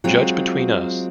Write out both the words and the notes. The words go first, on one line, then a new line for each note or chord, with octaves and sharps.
Judge between us.
F#3 G#3 C4 F4